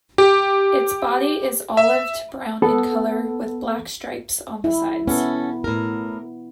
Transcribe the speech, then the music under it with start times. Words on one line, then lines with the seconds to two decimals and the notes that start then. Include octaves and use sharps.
Its body is olive to brown in color, with black stripes on the sides.
0.18 G4
1.77 E5
2.62 B3 A4
4.64 E4
5.08 B3 C#4 A4
5.64 A2 A#4